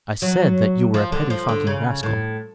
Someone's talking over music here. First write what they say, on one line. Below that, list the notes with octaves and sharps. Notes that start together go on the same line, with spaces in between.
I said that you were a pettifogging rascal.
F#3
F3
D3
F3
D3
C#3
A2